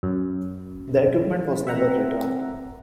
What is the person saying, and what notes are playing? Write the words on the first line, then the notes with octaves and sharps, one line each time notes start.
The equipment was never returned.
F#2
C4 E5 F#5 A#5